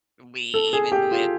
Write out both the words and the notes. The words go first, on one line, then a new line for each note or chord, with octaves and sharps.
we even with,
A4
G#4
G4
F4